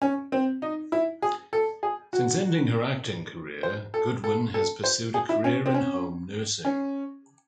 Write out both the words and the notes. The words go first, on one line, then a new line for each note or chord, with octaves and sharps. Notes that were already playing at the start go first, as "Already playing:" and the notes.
Since ending her acting career, Goodwin has pursued a career in home nursing.
C#4
C4
D#4
E4
G#4
A4
G#4
F#4
C5
A4
A4
A4
C5
G#4
E4
C#4
C4
C#4
C#4